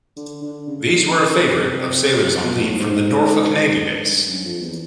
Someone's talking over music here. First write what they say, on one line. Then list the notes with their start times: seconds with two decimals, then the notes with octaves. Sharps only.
These were a favorite of sailors on leave from the Norfolk Navy Base.
0.16 D3
0.42 D3
0.67 C#3
0.92 D3
1.09 C#3
1.26 C#3
1.37 B2
1.43 C3
2.43 B2
2.60 A2
2.72 G2
2.77 G#2
3.94 G#2
4.11 G2
4.28 F#2
4.44 F2
4.61 E2